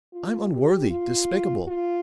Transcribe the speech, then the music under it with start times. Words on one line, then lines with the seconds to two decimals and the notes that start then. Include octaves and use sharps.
I'm unworthy, despicable.
0.13 F4
0.52 G4
0.90 F4
1.68 F4